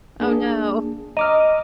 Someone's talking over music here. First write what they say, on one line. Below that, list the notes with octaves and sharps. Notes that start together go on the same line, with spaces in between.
Oh, no.
A#3 D4 G#4
D#5 A#5 D6 F6